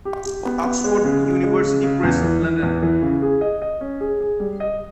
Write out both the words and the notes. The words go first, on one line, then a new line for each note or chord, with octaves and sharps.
Oxford University Press, London.
G4
G4
B3
B3
G#3
C#3
C#3
G#3
C#3
C#3
E2
E3
E3
E2
E3
C#3
G#4
D#5
D#5
C#4
G#4
G#4
G3
D#5